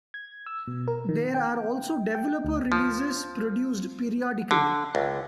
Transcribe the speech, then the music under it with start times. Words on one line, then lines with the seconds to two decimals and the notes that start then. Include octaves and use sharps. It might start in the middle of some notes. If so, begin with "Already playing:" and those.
There are also developer releases produced periodically.
0.14 G#6
0.46 E6
0.67 B2
0.88 A#4
1.09 D#3
1.34 G5
2.15 G5
2.45 D2
2.72 F3
4.51 D3
4.95 C#2